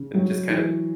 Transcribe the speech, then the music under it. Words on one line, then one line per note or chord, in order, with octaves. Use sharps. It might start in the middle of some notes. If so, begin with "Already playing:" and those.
And just kind of
Already playing: C#3
F#3
E3